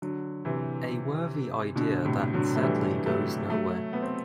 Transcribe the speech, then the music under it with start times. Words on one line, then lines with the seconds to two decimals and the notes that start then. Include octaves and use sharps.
A worthy idea that sadly goes nowhere.
0.02 D3 F#3
0.45 C3 E3
1.76 B2 D3
2.05 A2 C3
2.33 D3 F#3
2.55 A3
2.63 E3 G3
3.06 F#3 A3
3.50 F#3 A3
3.93 B3
4.02 C4